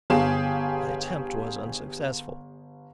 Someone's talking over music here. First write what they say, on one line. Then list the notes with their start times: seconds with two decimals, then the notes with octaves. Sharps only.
My attempt was unsuccessful.
0.10 G1 G4 G#4 F5 E7